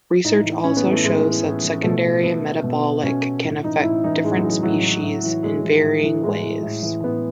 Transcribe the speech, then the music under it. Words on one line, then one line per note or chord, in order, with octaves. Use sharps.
Research also shows that secondary metabolic can affect different species in varying ways.
A2 D#4
E3
A2 C#4
B3
E3
A3
A2 G#3
E3
A2
E3
B2 A3
B2 B3
B2
B2 C#4
A2
E3 D#4
A2 E4
E3 D#4
A2 G#3
F#3
E3
G#3
A2 F#3
E3
A2
E3
A2 G#3
E3
A2
E3
A2 G#3
E3
A2
E3
A2 B3